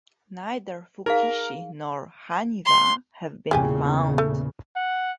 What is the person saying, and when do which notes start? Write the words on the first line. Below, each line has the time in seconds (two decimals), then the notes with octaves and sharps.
Neither "fukiishi" nor "haniwa" have been found.
1.06 D#4 G#4 A#4 F5
2.65 C6
3.51 E2 A#2 C#3 G#3 G4 G#5
4.18 A3
4.76 F#5